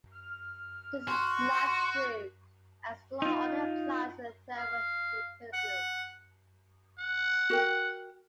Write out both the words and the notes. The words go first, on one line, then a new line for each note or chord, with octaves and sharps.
This is not true, as the law only applies in thermal equilibrium.
F6
F#4 C6
D#4 F4
F5
F#5
F#5
F#4 A#4 G5